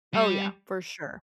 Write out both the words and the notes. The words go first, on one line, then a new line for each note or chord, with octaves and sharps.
Oh, yeah, for sure.
G3